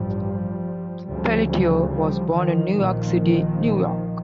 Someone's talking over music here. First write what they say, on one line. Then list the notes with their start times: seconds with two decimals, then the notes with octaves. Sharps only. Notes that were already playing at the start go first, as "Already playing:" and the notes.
Pelletier was born in New York City, New York.
Already playing: A1 G2 F3 G3
1.08 D2 C#3 F3 G3
1.49 F3 G3
1.91 F3 G3
2.33 D#3 F3
2.74 A#1 A#2 D#3 F3